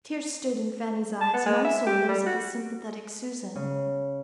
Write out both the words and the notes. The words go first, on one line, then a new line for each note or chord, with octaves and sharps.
Tears stood in Fanny's eyes and also in those of the sympathetic Susan.
A5
B3
G#3
E5
G4
G3
F#4
C#3